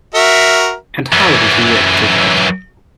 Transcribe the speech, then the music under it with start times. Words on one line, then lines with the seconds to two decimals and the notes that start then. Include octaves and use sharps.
And how did he react to that?
0.15 F#4 A#4 E5
1.12 F#2 E3